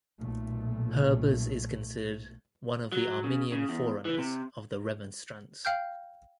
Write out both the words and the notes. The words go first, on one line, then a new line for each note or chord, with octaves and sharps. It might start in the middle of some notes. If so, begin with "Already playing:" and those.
Herbers is considered one of the Arminian forerunners of the Remonstrants.
B1 A#2 A3
F#3
C#3
C#3
E2
E3
C3
F5 G5 F6 G6